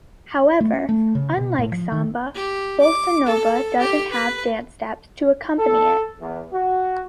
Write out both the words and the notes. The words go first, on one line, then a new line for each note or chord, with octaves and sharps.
However, unlike samba, bossa nova doesn't have dance steps to accompany it.
A3
C#4
A3
C#3
B2
A2
F3
D#3
G4
D6
A4
G4
B4
A4
E2
F#4